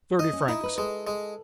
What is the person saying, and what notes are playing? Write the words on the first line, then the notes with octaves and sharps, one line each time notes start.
"Thirty francs."
D#4 D#5
C#4
D#4 E4
B4
G#3 A4
G#3